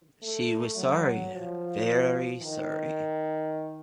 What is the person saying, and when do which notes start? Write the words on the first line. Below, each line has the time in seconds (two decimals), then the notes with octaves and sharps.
She was sorry, very sorry.
0.22 A3
0.77 F#3
1.32 F3
2.42 D#3